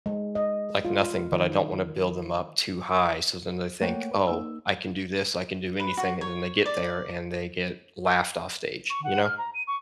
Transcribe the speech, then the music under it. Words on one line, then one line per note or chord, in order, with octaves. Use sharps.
like, nothing, but I don't wanna build them up too high, so then they think, "Oh, I can do this, I can do anything," and then they get there and they get laughed off stage, you know?
G#3
D#5
F4
D#3
A3 A#3 C#5 F#5 G5
B4
A#3 D#4 E6
B4
F#4
C#5
D5
C#6
F#5
F6
A#5
D#7
C#6